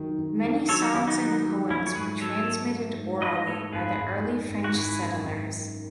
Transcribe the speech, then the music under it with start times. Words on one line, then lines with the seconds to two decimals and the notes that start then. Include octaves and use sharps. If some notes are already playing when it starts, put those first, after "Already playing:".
Many songs and poems were transmitted orally by the early French settlers.
Already playing: D#3 F#3
0.19 D#3
0.44 D#3
0.69 F#3 A4 C#5
0.82 D#4 F#4
0.94 D#3 C#4 E4
1.07 B3 D#4
1.20 F#3 B3 D#4
1.45 F#3
1.70 A3 C#4 E4
1.87 C#5
1.96 G#2 G#4 B4
2.21 F#3 A4 C#5
2.46 A3
2.71 A3
2.97 G#2
3.22 G#2 B4 D#5
3.36 D#5
3.47 A3 A4 C#5
3.73 G#1 G#4 B4
3.99 G#1
4.23 G#1
4.49 G#1
4.64 F#4
4.74 G#1 E4 G#4
5.00 F#2
5.25 G#1